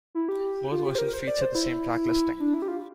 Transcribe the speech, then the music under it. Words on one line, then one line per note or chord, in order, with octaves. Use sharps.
Both versions featured the same track listing.
E4
G4
F4
G4
C5
A#4
C5
D5
C5
E4
D4
E4
G4
F4